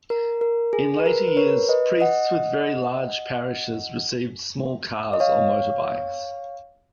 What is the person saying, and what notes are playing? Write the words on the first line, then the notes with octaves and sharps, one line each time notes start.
In later years, priests with very large parishes received small cars or motor bikes.
A#4
A#4
G#4
B4
A#4
B4
A#4 C#5
B4 D#5
D#5 F#5
D#5
C#5 F5